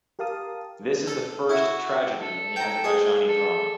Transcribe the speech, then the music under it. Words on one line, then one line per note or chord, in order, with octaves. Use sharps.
This is the first tragedy in the Azerbaijani drama.
G4 A#4 F5 A5 D#6
A4
E4 F#4
A4
G5 A#5
G#4
A4